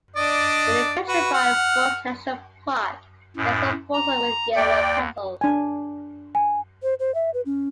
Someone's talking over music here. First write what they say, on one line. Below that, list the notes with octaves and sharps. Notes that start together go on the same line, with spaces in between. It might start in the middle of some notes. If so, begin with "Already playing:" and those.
In the Petrified Forest’s National Park there’s a fossil with yellow petals.
D4 D5 D#5
F#4 B4
F#5 F6
F#2 A2
A#5
D#2 D5 G5
D4 G#5
G#5
C5
C5
E5
B4
C#4